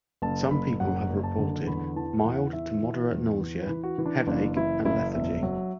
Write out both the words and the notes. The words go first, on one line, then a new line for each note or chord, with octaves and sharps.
Some people have reported mild to moderate nausea, headache, and lethargy.
F#1 A5
F#1 B5
F#2 F#5
F#1
A5
D3
E2 B5
E3 A5
E2 F#5
E3 E5
E3
E2
E3
B4
E3
F#4
E3
D4
F#1 D4
E3 E4
F#1 E4
E1 E5
F#3